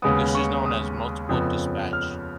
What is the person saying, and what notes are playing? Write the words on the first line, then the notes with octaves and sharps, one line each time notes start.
This is known as "multiple dispatch".
D#2 C#3 G#3 B3 D#6
C#6
D#6
F2 C#3 F3 B3
F6